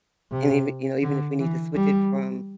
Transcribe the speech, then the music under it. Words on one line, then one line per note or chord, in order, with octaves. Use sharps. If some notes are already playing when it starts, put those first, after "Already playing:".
And even you know, even if we need to switch it from,
C3
D3
E3
G3